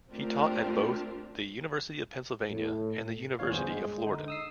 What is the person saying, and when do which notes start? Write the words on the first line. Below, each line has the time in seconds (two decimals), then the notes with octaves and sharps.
He taught at both the University of Pennsylvania and the University of Florida.
0.11 A3 C4 D4 F4 G4 A#4
2.50 A2
3.39 E2 A#2 C#5 F5
3.52 G1 G2 B3 G#4 C5
3.70 G#3
4.06 D3 D#4
4.28 D#6 E6 C7